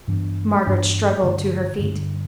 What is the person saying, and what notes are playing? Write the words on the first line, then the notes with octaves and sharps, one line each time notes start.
Margaret struggled to her feet.
G2 E3 B3 D4
G2 E3 B3 D4
G2 D3 A3
G2 D3 A3